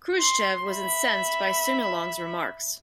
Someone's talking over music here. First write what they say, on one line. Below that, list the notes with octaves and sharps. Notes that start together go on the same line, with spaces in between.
Khrushchev was incensed by Sumulong's remarks.
C6
E5 B5